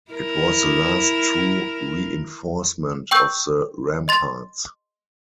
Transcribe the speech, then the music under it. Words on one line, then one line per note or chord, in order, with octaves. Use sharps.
It was the last true reinforcement of the ramparts.
E4 A#4
G5 C#6 E6 G6
D#5 C6 A6